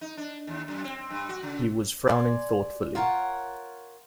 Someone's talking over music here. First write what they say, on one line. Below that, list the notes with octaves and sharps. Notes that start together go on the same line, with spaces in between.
He was frowning thoughtfully.
D#4
D4
D#2
F#2
C4
G2
F#4
C#3
D5 G#5 C6
F4 A#4 C#5 F#5